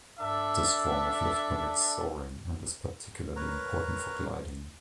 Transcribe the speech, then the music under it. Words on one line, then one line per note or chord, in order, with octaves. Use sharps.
This form of lift permits soaring and is particularly important for gliding.
D4 A4 E5
A#4 B4 C#5 A#5